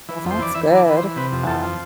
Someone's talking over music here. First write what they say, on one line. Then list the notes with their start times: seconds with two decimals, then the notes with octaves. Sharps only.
Well, that's good, um
0.09 E3
0.25 F2
0.31 C5
0.39 E3 D5
0.54 E3 E5
0.71 E3
0.76 D5
0.86 E3 B4
0.97 C5
1.02 E3
1.16 C3 B4
1.32 F2
1.47 F2 A4
1.63 F3